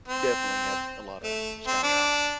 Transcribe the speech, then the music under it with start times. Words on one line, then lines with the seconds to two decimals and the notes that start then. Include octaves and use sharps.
definitely had f a lotta SkyMiles,
0.08 C4
1.24 A3
1.67 C4
1.83 D4